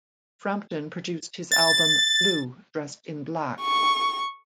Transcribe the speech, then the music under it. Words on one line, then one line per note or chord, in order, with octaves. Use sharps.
Frampton produced his album "Blue, Dressed in Black".
A6
C#6